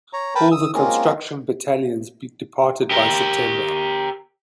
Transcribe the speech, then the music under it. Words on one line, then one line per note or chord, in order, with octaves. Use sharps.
All the construction battalions departed by December.
C#5 A#5
A#4 B4 G5 A5 B5
D#6 E6
G#3 A#3 C4 C#4 F4 A#4
G4 A#4